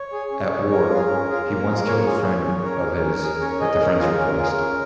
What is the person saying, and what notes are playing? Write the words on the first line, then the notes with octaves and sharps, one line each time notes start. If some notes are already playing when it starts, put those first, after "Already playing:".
At war, he once killed a friend of his at the friend's request.
Already playing: C#5
G#4
C#4
G#4
C#4 A#4
F4 G#4
C#4
F4 G#4
A#3
F4 G#4
A#3 C#5
F4 G#4
C#4
G#4
C#4 A#4
G#4
C#4
G#4
C#4 C#5
G#4 D#5
C#4 A#4
F4 G#4
C#4
F4 G#4
C#4